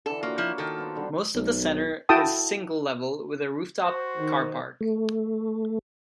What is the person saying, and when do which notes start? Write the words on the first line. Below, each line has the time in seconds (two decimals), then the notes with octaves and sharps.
Most of the centre is single level with a rooftop carpark.
0.06 D3 E3 A4
0.23 A#3 F4 F#4 C#5
0.38 F3 A#3 E4
0.58 D#3 A4
0.78 B3 C5 A#5
0.96 D3 G3
1.35 B1
2.09 E4 F#4 A4 G5 A5 D#6
3.84 F#4 C5
4.17 D#3
4.81 A3